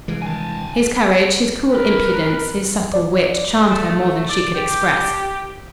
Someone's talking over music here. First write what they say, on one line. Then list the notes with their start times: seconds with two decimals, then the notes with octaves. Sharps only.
His courage, his cool impudence, his subtle wit charmed her more than she could express.
0.08 C2 E3 G#3 F5 D7
0.22 D#3 C4 D4 G#5 A5
1.71 A#4 B4
2.94 D5
3.69 A3
4.29 D5
4.55 G4